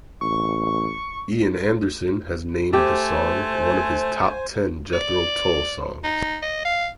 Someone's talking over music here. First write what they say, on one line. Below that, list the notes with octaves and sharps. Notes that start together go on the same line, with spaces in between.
Ian Anderson has named the song one of his top ten Jethro Tull songs.
A1 C#6
A3 G4 C5 G#5
D5
D#4
D#5
F5